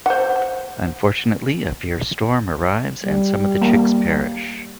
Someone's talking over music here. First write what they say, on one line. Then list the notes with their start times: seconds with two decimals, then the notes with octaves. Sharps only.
Unfortunately, a fierce storm arrives and some of the chicks perish.
0.06 C5 F#5
3.02 G3
3.62 A#3